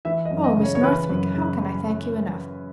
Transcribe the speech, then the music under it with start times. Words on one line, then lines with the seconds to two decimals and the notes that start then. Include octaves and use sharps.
Oh, Miss Northwick, how can I thank you enough?
0.05 E3 E5
0.25 D#5
0.31 F#2
0.44 D#5
0.57 C#3
0.63 C#5
0.75 C#5
0.83 E3 B4
1.09 F#2
1.34 C#3